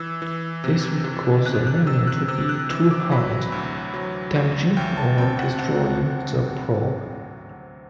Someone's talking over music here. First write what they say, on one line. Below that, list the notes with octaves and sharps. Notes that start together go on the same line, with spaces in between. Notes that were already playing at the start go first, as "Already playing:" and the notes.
This would cause the landing to be too hard, damaging or destroying the probe.
Already playing: E3 E6
E3
C3
C3
C3 F#6
F#6
C3 E6
F#6
C3 E6
F#6
E3 E6
D6
F#3 B5
D2
F#3
D2
D2 G5
A5
C4 G5
F#5
C4 F#5